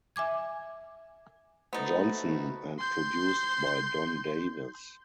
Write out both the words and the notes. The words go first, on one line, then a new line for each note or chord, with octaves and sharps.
Johnson and produced by Don Davis.
E5 G#5 D6 G#6
A3 B3 D#4 F#4 B4 C5 A6
C6 G6